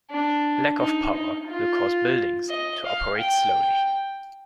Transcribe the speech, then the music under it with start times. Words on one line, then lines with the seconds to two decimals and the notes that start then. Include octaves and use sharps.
Lack of power will cause buildings to operate slowly.
0.11 D4
0.80 D#4
1.13 D#4
1.48 F4
2.49 D#5
2.85 F5
3.18 G5